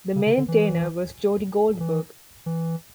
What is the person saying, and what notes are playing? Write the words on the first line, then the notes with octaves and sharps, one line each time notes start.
The maintainer was Jody Goldberg.
C#3
C#3
D3
E3
E3
E3